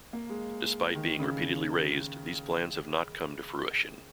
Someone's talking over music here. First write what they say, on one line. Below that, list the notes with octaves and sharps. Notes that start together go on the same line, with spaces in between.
Despite being repeatedly raised, these plans have not come to fruition.
A#3
G#3
D#3
C#3